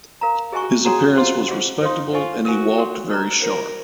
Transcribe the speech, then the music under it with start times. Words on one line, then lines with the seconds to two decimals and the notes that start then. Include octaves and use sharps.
His appearance was respectable and he ""walked very sharp"".
0.21 A#4 F5 A#5
0.52 F#4 G#4 D#5 G#5 C#6
0.85 F#4 G#4 C#5 F#5 A#5
1.17 F4 C5 F#5 C6
1.49 F4 G#4 D#5 F#5
1.81 D#4 C5 F5 C6
2.13 F4 C5 D#5 G#5 C#6
2.45 F#4 A#4 F5 G#5
2.78 A#4 C#5 F#5 C6
3.09 D#4 A#4 D#5 A#5
3.41 F4 A#4 C5 F#5